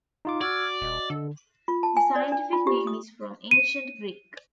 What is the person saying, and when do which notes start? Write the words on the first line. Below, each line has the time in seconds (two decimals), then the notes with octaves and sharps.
The scientific name is from Ancient Greek.
0.25 D#4 F4 D6
0.41 F#4 D5 E6 F6 G#6
0.82 D#1 D#5
1.10 D3 A4
1.68 F4
1.83 A5
1.97 G#5
2.16 D5
2.32 D4
2.53 F4
2.67 G4
2.87 D#6
3.51 D#7